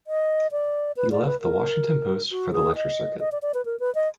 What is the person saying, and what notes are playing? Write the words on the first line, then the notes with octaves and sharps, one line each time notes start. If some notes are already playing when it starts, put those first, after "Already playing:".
He left "The Washington Post" for the lecture circuit.
D#5
D5
B4
D5
B4
A#4
F#4
G#4
D#5
D#5
D5
D5
B4
A#4
B4
D#5